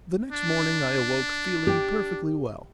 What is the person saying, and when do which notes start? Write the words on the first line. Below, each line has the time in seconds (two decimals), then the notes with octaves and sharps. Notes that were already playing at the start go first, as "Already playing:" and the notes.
The next morning I awoke feeling perfectly well.
0.32 D4
1.67 G4